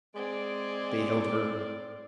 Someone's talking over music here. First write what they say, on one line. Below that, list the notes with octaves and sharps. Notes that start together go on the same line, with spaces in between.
They held her.
G#3 C4 G#4 D5